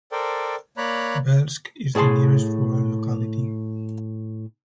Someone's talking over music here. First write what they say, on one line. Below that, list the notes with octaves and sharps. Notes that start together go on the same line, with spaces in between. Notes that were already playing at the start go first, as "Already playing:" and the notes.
Velsk is the nearest rural locality.
A4 A#4 C5 D5 G5
A#3 C#5 D5 A#5 B5 F#6
A2 G#4 F#5 A5 C6